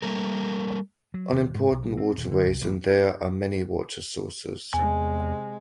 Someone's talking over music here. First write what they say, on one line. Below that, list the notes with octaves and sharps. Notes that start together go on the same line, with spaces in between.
On important waterways and there are many water sources.
G3 A#3 A4 A#4
F#3
D#1
G#2
B1
B1
C4
D#1
D3
C2
A1
E2 C3 G#3 G#5